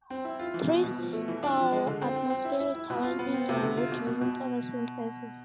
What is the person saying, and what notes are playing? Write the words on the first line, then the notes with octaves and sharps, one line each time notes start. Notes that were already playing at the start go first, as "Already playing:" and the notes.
Trees store atmospheric carbon in their wood using photosynthesis.
C4
E4
F4
E3
B2
B2
F3
A3
E3
D4
F3
G#3
D3
C4
C4
C4
E4
E4
E4
B2
F4
B3
C4
C3
D3
F4
B2
B2
B2